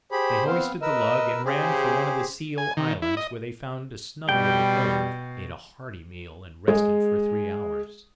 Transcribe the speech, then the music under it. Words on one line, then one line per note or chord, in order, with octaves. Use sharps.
They hoisted the lug and ran for one of the Seal Islands, where they found a snug little cove, ate a hearty meal, and rested for three hours.
G4 G#4 C5 B5
B3 C4 F5
A#4 B4 D#5 E6
C#3 G4 G#4 C5
G#5
D#3
E4
D#5
B2 G3 G5
G#3 G#4